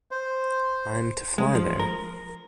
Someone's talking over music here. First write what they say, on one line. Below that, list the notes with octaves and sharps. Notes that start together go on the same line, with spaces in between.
I'm to fly there.
C5
G#3
F3
A#4